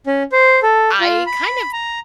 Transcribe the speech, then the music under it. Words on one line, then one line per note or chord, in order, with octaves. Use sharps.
I kind of
C#4
C5
A4
F4
B5
A#5